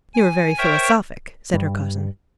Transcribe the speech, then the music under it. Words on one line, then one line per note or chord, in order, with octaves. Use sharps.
"You're very philosophic," said her cousin.
G#5
A#4 C5 C#5 E5 G5 C#6
G2 G3